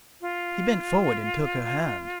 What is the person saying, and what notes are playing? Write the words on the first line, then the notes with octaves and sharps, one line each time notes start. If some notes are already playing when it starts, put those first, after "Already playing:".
He bent forward and took her hand.
F4